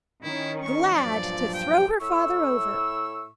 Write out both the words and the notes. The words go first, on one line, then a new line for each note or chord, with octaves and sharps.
Glad to throw her father over!
D#3 C#4 E4
C#6
G2 A#2 F3 F#3 D5
G5
A2 E4 C#6 E6